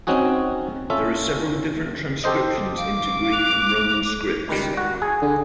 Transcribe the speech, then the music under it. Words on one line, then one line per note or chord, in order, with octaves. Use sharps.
There are several different transcriptions into Greek and Roman scripts.
C4 C#4 D#4 F#4 G#4
C#4 F4 A4 E5
G4 A4 C5 D#5
F5 D6
F#6 F7
C#2 D#3 G3
F#4
G#4
D3